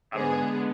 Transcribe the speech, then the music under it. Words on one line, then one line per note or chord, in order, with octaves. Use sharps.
I don't know.
D3 G#3 B3 G#4